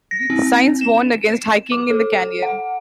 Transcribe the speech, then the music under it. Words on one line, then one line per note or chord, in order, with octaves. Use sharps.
Signs warn against hiking in the canyon.
A#6
C4
E7
D6
A4
F#5